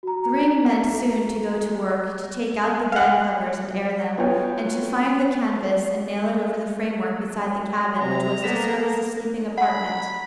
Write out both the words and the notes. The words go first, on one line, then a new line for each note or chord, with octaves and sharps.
Thryng meant soon to go to work, to take out the bed covers and air them, and to find the canvas and nail it over the framework beside the cabin which was to serve as a sleeping apartment.
F#4 A#5
F5 F#5
B3 F4 F#4 C#5 G5
C3 A#5
A#3 B3 A4 B6 E7
F#5 B5